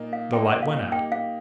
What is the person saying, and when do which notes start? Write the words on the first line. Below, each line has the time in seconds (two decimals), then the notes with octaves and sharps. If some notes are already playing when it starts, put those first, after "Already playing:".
The light went out.
Already playing: A#2 A#3 D#4
0.13 F5
0.33 A#2 A#3 D#4 G5
0.63 F5
0.92 A#3 D#4 G4 G5
1.12 F5